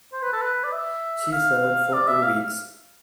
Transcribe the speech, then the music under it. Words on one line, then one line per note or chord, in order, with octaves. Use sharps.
She served for two weeks.
C5
B4
A4
B4
D5
E5
F5
D5
E5
F5